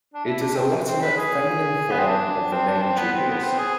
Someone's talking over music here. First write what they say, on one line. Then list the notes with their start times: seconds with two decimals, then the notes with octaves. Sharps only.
It is a Latinate feminine form of the name Julius.
0.14 D4
0.25 E4
0.41 D4
0.56 C4
0.86 C4
1.01 B4
1.16 G#4
1.91 B3
1.99 C4
2.07 D4
2.53 C4
2.68 D4
2.82 C4
2.98 B3
3.13 C4
3.28 B3
3.44 C4
3.58 G#4